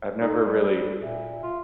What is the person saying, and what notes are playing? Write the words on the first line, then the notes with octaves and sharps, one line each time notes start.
I've never really
D#4 A4
G3
A#2 E5
F4